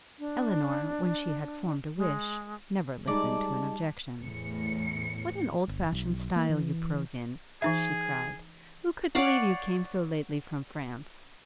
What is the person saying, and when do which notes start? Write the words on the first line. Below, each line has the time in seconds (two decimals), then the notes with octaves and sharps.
Elinor, when she had formed a wish, never listened to an objection. 'What an old fashioned style you prose in!' she cried; 'who could believe you came so lately from France?
0.19 D4
1.97 G#3
3.08 G3 G#3 D#4 D5 A5
4.22 E2 A2 C#7
5.68 G1
5.92 B1
6.36 A#3
6.50 E3
7.62 E3 D#4 G#4 E5
9.15 C#5 D5 F5 F#5